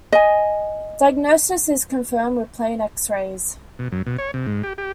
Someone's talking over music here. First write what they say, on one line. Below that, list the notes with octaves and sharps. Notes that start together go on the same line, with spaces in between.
Diagnosis is confirmed with plain X-rays.
D#5 G#5
B2
F#2
B2
C#5
C3
G#2
G4
G4